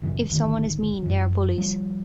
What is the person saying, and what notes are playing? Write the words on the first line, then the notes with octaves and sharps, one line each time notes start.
If someone is mean, they are bullies.
F#1 C#3 E3
G#1 D#2 D3 D#3
F#2 E3
F3 G3